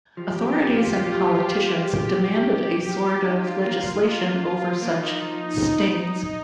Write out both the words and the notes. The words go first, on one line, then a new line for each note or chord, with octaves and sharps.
Authorities and politicians demanded a sort of legislation over such "stings".
F3 G4
A#2 F4
F3 G4
F3
G#3
A#2
D#4 G4
F3
D#4 F4
A#3
A#3
F3
A#3 D#4
F3
D#4